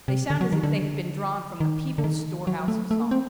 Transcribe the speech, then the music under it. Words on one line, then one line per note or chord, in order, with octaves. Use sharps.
They sound as if they had been drawn from the people's store-house of song.
C3
D3
F#3
D#3
D3
D#3
D3
D#3
F#3
A3
A3
A#3
C4